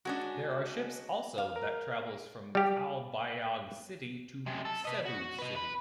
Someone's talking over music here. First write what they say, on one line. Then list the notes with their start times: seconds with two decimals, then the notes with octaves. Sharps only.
There are ships also that travels from Calbayog City to Cebu City.
0.05 G#3 C#4 D4 F#4
1.38 F5
1.56 A#4
2.55 G3 G4
4.47 F#2 C3
4.65 A4
4.85 B4 D#5
5.05 F#4
5.39 B4 D#5
5.56 B4 B5